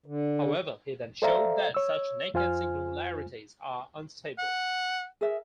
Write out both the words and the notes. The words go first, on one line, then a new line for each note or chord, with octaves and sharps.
However, he then showed that such "naked singularities" are unstable.
D3
A4 C5 D5 E5 F5 A#5
C#5 E6
F2 F4 C5 G#5 F6
F#5
G#4 A#4 E5